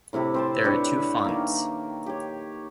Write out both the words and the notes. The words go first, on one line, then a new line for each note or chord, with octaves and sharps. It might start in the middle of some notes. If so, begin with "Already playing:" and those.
There are two fonts.
A2 C3 E4 G4
C4 C5 A5
D4 G4 B4 C#5
D#3 A#3
G4 C#5